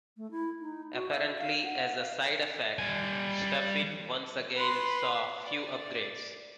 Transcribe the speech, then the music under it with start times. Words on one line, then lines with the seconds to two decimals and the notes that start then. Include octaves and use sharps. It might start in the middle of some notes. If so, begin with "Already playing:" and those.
Apparently as a side-effect, StuffIt once again saw few upgrades.
0.17 A3
0.31 E4
0.60 D#4
0.94 F#4
1.11 E5
1.39 F5
1.64 F#5
1.98 F5
2.79 G3 G#5
4.56 B4 C6
5.44 D5